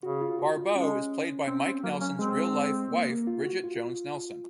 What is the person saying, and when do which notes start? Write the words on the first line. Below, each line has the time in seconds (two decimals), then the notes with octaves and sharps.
Barbeau is played by Mike Nelson's real-life wife Bridget Jones Nelson.
0.03 C#3 F#4
0.21 F4
0.39 F#4
0.57 F4
0.75 G#3 C#4
1.47 C4 C#4
1.65 C4
1.83 F#3 A#3
2.01 C#4
2.19 G#3 C4
2.91 A#3
3.09 A#3
3.27 F4
3.45 F#4
3.64 F4